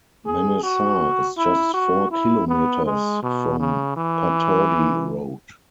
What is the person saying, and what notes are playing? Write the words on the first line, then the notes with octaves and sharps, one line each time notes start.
Manesar is just four kilometers from Pataudi Road.
G#4
F#4
E4
F#4
E4
B3
G#3
B2
C#3
E3